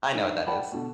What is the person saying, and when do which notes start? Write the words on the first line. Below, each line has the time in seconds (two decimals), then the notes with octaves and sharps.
I know what that is.
0.14 D4 D#4
0.47 D5 F#5 G5 A5 B5
0.72 B2 D3